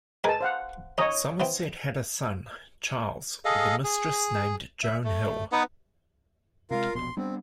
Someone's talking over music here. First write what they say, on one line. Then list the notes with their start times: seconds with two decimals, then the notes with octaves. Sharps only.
Somerset had a son, Charles, with a mistress named Joan Hill.
0.24 G#3 A#4 B4 G#5 A5
0.41 C5 F5 F#5
0.98 C#4 D#4 C#5 D#5
1.40 E3 B3 C4
3.45 G#4 A4 D#5 F5
3.84 G#4
4.83 E5
5.04 A3
5.52 B3 D#4 B4 F#5
6.71 C3 G#3 F4 A#4 F5
6.95 E1 A#1 B2 C6
7.17 G3 B3 C4 D4